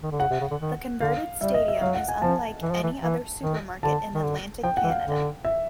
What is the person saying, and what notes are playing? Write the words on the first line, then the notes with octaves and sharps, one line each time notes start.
The converted stadium is unlike any other supermarket in Atlantic Canada.
D#3
D3
C#3 F#5
C3
C#3
D3
D#3
D3 F5
G3 E5
D#5
E5
F#3 F5
F#5
G#5
F3 A5
E3
F3
E3
E3
D#3
D3 A5
D#3
D3
F3 G5
F#5
E3
F5
D3
E5